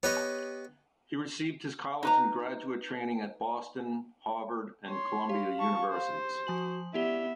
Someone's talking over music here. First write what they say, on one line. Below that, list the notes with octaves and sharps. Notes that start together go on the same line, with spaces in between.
He received his college and graduate training at Boston, Harvard, and Columbia universities.
B3 G4 B4 C#5 D#5
D#4 B4 A#5
C#5 C6
G4 F5
A5 C#6
C5
F3 F#4 G#5 F#7
B3 E4 G4 D5 E5 G7